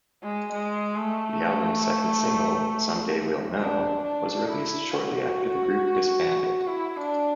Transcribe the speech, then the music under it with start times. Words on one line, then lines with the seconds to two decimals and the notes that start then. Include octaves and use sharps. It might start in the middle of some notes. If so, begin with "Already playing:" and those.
The album's second single, "Someday We'll Know," was released shortly after the group disbanded.
0.23 G#3
0.52 G#3
0.96 A3
3.60 D4
4.03 D4
4.47 E4
4.91 F#4
6.67 E4
6.96 D4